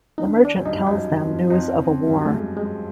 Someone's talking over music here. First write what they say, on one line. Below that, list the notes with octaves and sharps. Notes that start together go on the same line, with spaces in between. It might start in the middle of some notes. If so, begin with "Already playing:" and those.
The merchant tells them news of a war.
D#4
E2 D4
D4
F#2
G2 D#4
F#2
F#2 D#4
F2
F2 D#4
C#4
F2
C4
G2
F#2
A3
G#3
G#3